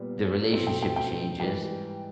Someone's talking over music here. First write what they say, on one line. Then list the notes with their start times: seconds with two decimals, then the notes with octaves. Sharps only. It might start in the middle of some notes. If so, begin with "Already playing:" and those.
the relationship changes
Already playing: A#2 G3 B3
0.53 B2 F#3 A3 C4
0.67 G5
0.82 G5
0.96 G5
1.39 G#2 E3 G3 G5